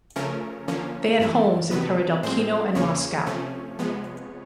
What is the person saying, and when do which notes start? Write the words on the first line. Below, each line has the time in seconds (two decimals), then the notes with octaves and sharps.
They had homes in Peredelkino and Moscow.
0.16 C#3 F3 A3 C#4 A#4
0.68 D3 F3 A#3 C#4
1.20 G2 E3 A3
1.71 C3 D#3 F#3 B3 B4
2.23 A2 F3 G#3 C4 C5
2.75 E2 C#3 F3 A#3 C#4 C#5
3.27 C3 F3 A3 C#4
3.79 C3 F3 G#3 B3